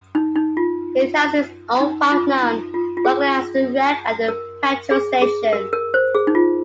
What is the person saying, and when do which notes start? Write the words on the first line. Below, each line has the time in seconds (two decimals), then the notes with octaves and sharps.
It has its own park known locally as the Rec, and a petrol station.
0.15 D#4
0.35 D#4
0.57 F4
1.80 D#4
2.12 F4
2.42 D#4
2.74 F4
2.97 F4
3.05 G#4
4.28 A#4
4.91 G#4
5.22 G#4
5.53 A#4
5.73 A#4
5.94 C5
6.15 G#4
6.27 D#4
6.35 F4